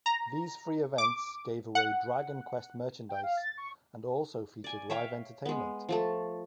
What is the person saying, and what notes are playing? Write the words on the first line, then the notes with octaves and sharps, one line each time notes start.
These free events gave away "Dragon Quest" merchandise and also featured live entertainment.
A#5
D6
F#5
G5
F5
A6
C#6
D5 G#5
C#5 E5 F5 G5
G#3 B3
F3 A3 A4